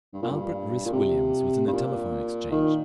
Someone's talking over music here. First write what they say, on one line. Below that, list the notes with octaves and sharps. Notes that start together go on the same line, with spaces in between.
Albert Rhys Williams was in the Telephone Exchange.
G2
A#2
G2
A#2
C3
G2
A#2
D#3